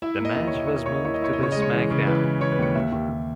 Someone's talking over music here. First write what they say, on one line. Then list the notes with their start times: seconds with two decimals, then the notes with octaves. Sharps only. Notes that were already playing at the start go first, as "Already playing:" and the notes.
The match was moved to the SmackDown!
0.02 E4 E5
0.19 A#3
0.25 D#5
0.36 D#2
0.47 C#5
0.53 D#2 D#5
0.67 A#3 C#5
0.76 D#5
0.86 A#3 C#5
0.95 D#5
1.05 E4 C#5
1.14 D#5
1.21 E4 C#5
1.33 D#5
1.39 C#3 C#5
1.52 G#3 D#5
1.62 C#5
1.72 E3
1.90 C#3
2.07 E3 B4
2.24 E3
2.41 E3 C#5
2.52 B4
2.58 D#2 C#5
2.75 D#2 E5
2.92 D#2
3.09 D#2